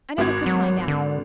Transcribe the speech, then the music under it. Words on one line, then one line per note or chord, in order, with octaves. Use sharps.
I never could find out.
G#1 F#4 G#6
F#3
D3